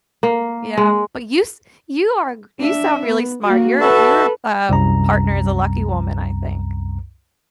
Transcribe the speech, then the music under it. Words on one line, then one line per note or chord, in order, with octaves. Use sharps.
yeah. But, you s you are g you sound really smart, your your, uh, partner is a lucky woman, I think.
A#3
G#3
D4 E5
B3
A#3 F#4
F#4 A4 B4 E5 A5
C2 F#2 A#5